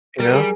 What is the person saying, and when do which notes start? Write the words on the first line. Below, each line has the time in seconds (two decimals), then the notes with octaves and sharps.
You know?
0.19 G3 A#4
0.34 G3 G#4